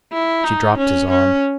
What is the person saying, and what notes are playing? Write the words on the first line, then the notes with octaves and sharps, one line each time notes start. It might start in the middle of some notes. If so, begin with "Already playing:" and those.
She dropped his arm.
E4
D#4
C#4
C#4